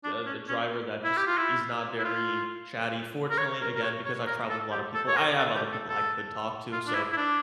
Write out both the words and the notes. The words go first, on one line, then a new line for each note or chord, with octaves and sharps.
a a driver that just is not very chatty, fortunately again because I've traveled with a lot of people, I have other people I could talk to so uh
D4
C#4
C#4
E4
G4
F4
E4
E4
F4
A#4
C#5
A#4
A#4
C#5
C#5
A#4
A4
G4
A4
C#5
A#4
A4
G4
A4
A4
F4
D4
E4
E4
D4